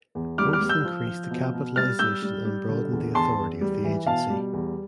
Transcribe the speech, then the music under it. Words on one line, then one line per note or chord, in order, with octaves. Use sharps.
Both increased the capitalization and broadened the authority of the Agency.
E2
G3 D6 F6
D6 F6
G3
E6 G6
F3
F3
B2
B2
G3 F6 A6
G3 E6 G6
G3
G3
D3
E2
E2 A5 C6
E2
G3
E3
B2 F5 A5
G3
E2